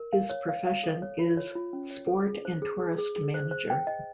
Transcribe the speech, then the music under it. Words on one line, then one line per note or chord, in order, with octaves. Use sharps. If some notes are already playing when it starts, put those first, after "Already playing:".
His profession is Sport- and Tourist manager.
Already playing: A#4
F5
C#5
F5
F5
A4
C#5
F4
C#5
F4
C#4
C#5
A4
G#4
C5
G#4
G#4
G#4
G#4
C5
C5
G5
D#5